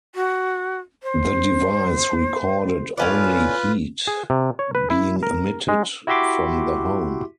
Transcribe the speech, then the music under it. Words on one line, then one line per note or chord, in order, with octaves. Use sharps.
The device recorded only heat being emitted from the home.
F#4
C5
A2 C#4 F4 B4 D5
G#4
C3
C#5
B4
E4
A#4
G#3
E4 F#4 G4 E5 C6 D6